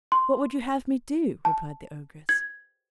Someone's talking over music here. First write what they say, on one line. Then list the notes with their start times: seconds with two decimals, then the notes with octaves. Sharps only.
"What would you have me do?" replied the ogress.
0.12 C6
1.45 A5
2.29 G#6